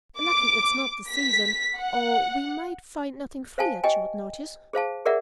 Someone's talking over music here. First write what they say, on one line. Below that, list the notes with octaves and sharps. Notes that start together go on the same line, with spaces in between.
Lucky it's not the season, or we might find nothing free at short notice.
D6
B6
F#5
C5 F5 G#5 A5
G4 D#5 G5 G#5
G#4 C5 F5 A5
G4 G#4 A#4 D5 E5 F#5